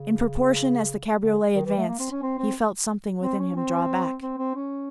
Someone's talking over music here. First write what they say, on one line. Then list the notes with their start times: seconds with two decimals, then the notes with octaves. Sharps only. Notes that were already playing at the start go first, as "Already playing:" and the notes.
In proportion as the cabriolet advanced, he felt something within him draw back.
Already playing: C#3
1.21 D3
1.55 D#3
1.66 E3
1.77 A3
1.88 A#3
1.99 C4
2.11 C#4
2.22 C4
2.38 C4
3.22 C4
3.39 C#4
3.56 C4
4.22 C4
4.38 C4
4.55 C#4